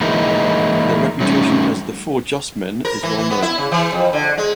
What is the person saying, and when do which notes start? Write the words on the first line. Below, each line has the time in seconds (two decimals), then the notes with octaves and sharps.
Their reputation as the "Four Just Men" is well known.
0.01 E3 G#3 A#3 D#4 E4
1.20 F#3 G3 A3 B3 C#4 D#4
2.85 A#4
3.03 E3
3.18 E3
3.30 B3
3.42 E4
3.58 C#3
3.72 E3
3.92 F2
4.13 D3
4.37 G#3